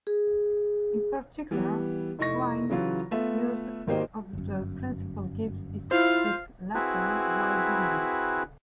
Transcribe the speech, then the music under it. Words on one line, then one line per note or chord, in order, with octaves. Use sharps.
In particular, Quine's use of the principle gives it this latter, wide domain.
G#4
E3 G3 B3
F1 D#4 E4 D#5 C#6 A#6
C#3 E3 F#3 F4
A3 B3 F4 E5
G#1 D#3 A#3 G4 C5 D#5
G1 F#2
E4 F4 C5 F5
C4 E4 F#4 G#4 B4